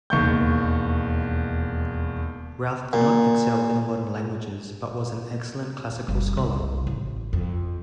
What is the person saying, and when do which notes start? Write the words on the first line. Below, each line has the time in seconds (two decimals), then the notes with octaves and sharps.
Routh did not excel in modern languages but was an excellent classical scholar.
0.10 E1 D#2 C#6 G6
2.93 A#2
6.08 F#1 G3
6.37 C2
6.87 A1
7.33 F2